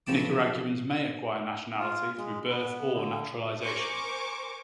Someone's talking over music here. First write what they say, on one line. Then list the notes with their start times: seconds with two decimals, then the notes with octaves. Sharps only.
Nicaraguans may acquire nationality through birth or naturalization.
0.07 B1 F3 G4 A5 D6
1.79 F4
2.18 G#3
2.50 B3
2.93 D3
3.63 A#4 C5 G#5 C#6 D6